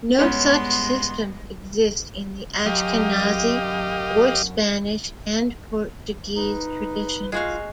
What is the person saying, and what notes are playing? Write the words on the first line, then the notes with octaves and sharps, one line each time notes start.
No such systems exist in the Ashkenazi or Spanish and Portuguese traditions.
G2 G#3 B3 C#4 C#5 C6
F#2 G4 D#5 F5
D#4 B4
G#3 F4 F#4 F5